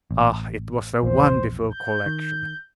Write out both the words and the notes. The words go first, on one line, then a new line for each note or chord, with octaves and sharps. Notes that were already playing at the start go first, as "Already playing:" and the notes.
Ah! it was a wonderful collection.
A1
A#1 E2 C5
G6
D#3